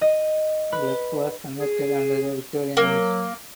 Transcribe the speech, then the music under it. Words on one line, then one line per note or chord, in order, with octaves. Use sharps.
Clubb was convicted under the Victorian Act.
D#5
B4
G#4
F#3 A#3